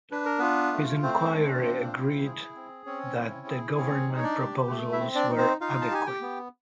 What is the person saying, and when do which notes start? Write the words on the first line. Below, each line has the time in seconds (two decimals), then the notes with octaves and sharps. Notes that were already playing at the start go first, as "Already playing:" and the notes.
His enquiry agreed that the government proposals were adequate.
0.11 D4 B4
0.25 A#4
0.39 B3 F4 B4
0.72 A3
1.03 A3 C4 C5
1.33 D4
1.64 F4
1.94 E4
2.25 G#4
2.55 C4
2.86 C4 C#4 C#5
3.17 E4
3.47 G#4
3.77 C4 C#4 C#5
4.08 D#4
4.17 C#5
4.23 D4 D5
4.39 G4
4.69 A3
4.92 E4 E5
5.00 C4
5.15 D4 D5
5.30 D#4
5.38 C4 C5
5.61 D#4 F4 F5
5.81 A5
5.91 G4 G#5
6.06 G4 G5
6.22 B3